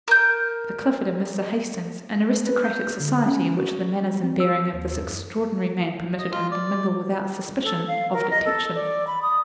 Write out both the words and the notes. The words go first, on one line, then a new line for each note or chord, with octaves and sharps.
Mr. Clifford and Mr. Hastings, an aristocratic society in which the manners and bearing of this extraordinary man permitted him to mingle without suspicion of detection.
A#4 G6
B4
G6
D3
C#4
F#4
C4
E6
D#2
F#2
D#5
F4
D5
A4
F5
A#4
D#5
A4
D5
B5
D#6